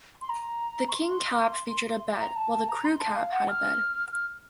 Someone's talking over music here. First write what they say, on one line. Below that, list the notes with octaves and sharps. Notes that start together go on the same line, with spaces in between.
The King Cab featured a bed, while the crew cab had a bed.
C6
A#5
C#6
C6
A#5
A5
A5
A#5
C6
A5
F5
F#5
F6
F6